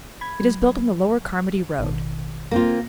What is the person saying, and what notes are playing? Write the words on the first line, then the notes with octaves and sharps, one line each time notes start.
It is built on the lower Carmody road.
B5 G#6
F#3
A1 B2 D#3
A#3 C4 F4 A#6